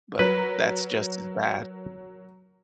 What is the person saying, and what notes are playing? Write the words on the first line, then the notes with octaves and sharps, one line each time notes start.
but that's just as bad.
F#3 A#4 B4 B6